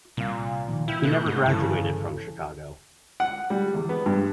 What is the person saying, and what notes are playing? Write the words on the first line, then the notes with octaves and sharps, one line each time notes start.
He never graduated from Chicago.
C2 A#2 F5
A#1 D#2
E3 E4 G5 F6
B2 A3 F#6 G6
G#2
G1 C#3 E3 A4
F#5
G3
E2
B3
G2